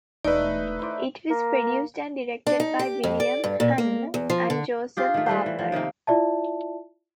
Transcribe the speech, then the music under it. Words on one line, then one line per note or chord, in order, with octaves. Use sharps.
It was produced and directed by William Hanna and Joseph Barbera.
E1 A3 D#4 A4 B4 D5 G5
E4 C5 D5
A#3
D4
D#4
G4
F2
D5
G2
A#2
A#3
E2
F3
D3
F4 G4 G#4
D#3 A3
G3 A3 B4 C5
E3
F3
C3 D#3 A3 A#3
E4 F4 D5 E5 A5